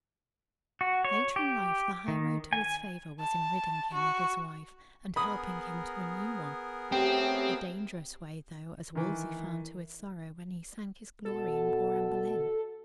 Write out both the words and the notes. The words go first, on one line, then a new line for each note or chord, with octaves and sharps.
Later in life the high road to his favor was in ridding him of his wife and helping him to a new one--a dangerous way though, as Wolsey found to his sorrow when he sank his glory in poor Anne Boleyn.
F#4
C#5
G4
D#3
G#5
A5
F#4
B3 G#4 A#4 B5 D#6
A3 C4 C#4 G4 G5
D#3 E3
B2 A4